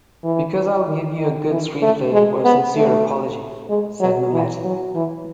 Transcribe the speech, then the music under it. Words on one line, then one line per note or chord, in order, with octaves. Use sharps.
"Because I'll give you a good screenplay or a sincere apology," said Mamet.
E3
D#3
D#3
E3
A3
G#3
B3
A3
G#3
F#3
E3
F#3
E3